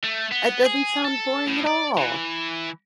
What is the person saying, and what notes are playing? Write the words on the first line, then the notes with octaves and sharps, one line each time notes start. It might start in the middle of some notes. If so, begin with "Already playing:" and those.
It doesn't sound boring at all.
A3
B3
G#4
A4
A2
D5
E3